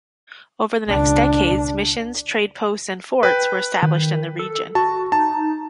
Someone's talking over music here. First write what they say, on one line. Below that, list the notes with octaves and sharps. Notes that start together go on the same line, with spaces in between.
Over the next decades missions, trade posts, and forts were established in the region.
C#2 D4
B4 G5
D#3
A4
F#4 A5
D#4 A5